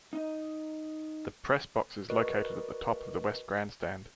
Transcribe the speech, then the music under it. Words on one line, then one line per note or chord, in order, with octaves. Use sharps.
The press box is located at the top of the west grandstand.
D#4 D#5
F#4 A#4 B4 D5 D#5 C#6